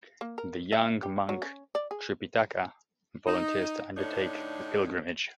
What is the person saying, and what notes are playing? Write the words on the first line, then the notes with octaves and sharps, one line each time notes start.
The young monk Tripitaka volunteers to undertake the pilgrimage.
A#3
A#4
E5
G4
F#3
C#4
D5
G#4
D#4
A2 D3 D4 D#4 C#5